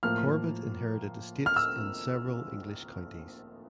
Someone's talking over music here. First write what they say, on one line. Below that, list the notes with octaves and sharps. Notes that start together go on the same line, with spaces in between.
Corbett inherited estates in several English counties.
A2 F3 A#3 F6
F6
E6